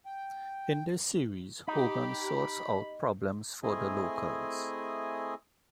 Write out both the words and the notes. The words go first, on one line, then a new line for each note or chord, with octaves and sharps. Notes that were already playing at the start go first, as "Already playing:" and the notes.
In the series Hogan sorts out problems for the locals.
G5
D#4 G4 B5
A3 C4 E4 G#4 D#5 G#5